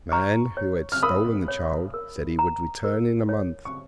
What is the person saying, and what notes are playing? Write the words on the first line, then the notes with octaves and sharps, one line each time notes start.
The man who had stolen the child said he would return in a month.
A#5 C#6 F6
C#5
F6
A#4 B5 D#6
C#5
A#4
A#5
A#4
C#5
C#6